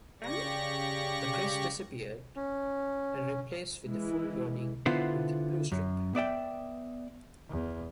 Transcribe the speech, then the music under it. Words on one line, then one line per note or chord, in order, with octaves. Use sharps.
The crest disappeared and replaced with the full wording with blue strip.
C#3 G4 D5 C#6 A#6
C#4
E3 G#3 E4
D3 B3 E4 F4 C5
F#2
B3 D5 E5 G5
E2